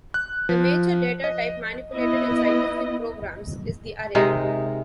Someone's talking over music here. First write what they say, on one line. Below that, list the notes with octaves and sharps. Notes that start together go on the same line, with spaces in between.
The major data type manipulated in scientific programs is the array.
F#6
F3
D#5
B3 E4 D#5
C3 G#3 D#4 A#4